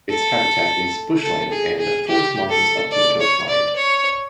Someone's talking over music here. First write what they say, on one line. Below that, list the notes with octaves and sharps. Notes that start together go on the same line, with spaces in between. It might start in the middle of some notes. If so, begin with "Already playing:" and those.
Its habitat is bushland and forest margins up to the coastline.
A4
A4
G#4
G#4
G4
A4
D5
C#5
D5
C#5